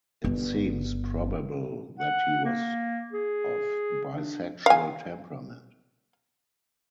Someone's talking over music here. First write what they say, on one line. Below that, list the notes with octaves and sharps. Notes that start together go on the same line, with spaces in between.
It seems probable that he was of bisexual temperament.
G1
F#5
A#3
G#4
D4
F5 G#5